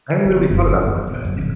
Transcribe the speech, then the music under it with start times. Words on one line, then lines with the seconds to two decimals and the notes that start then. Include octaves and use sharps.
I hadn't really thought about it like that. Yeah.
0.25 E4
0.37 C4
0.50 F#1
0.65 G#2
0.83 G3
1.07 A1
1.25 F#2
1.41 D1